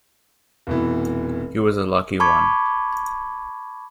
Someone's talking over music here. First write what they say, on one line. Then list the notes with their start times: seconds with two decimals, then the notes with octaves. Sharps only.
He was a lucky one.
0.67 F1 B2 E3
2.20 A5 B5 C#6 D6 G#6